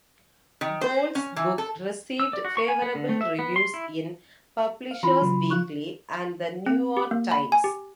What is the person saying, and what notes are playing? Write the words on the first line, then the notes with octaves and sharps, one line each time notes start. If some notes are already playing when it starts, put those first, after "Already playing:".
Gould's book received favorable reviews in "Publishers Weekly" and "The New York Times".
D#3
C5
C#4
E3
A4
E6
D5
F#4
C#6
G#5
B3
D3
A3
E5
B3
C6
E4
F5
E3 F4 B5 C6
C#3 F#3
F3 F4 C#6 F#6
C4
G4
A#3
B5
G#5
G4